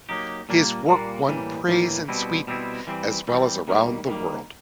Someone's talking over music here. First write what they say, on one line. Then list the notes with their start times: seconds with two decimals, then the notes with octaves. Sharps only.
His work won praise in Sweden as well as around the world.
0.09 F#3 A#3 D#4 G4
0.49 A#2 G3 A#3 D4
0.88 A#2 G3 A#3 D4
1.28 A2 E3 G3 A#3
1.68 A2 E3 G3 A#3
2.08 B2 G3 C4 E4
2.47 B2 G3 C4 E4
2.87 E3 G3 C4
3.28 E3 G3 C4
3.68 D#3 G3 A#3
4.06 D#3 G3 A#3